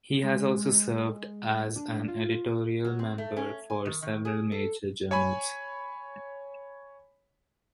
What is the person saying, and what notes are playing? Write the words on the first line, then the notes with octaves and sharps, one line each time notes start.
He has also served as an editorial board member for several major journals.
G#3
D4
F4
F#3
C4
A3
C#4
G#5
D#3
D#3
G#4
A4
C#5 G#5 B5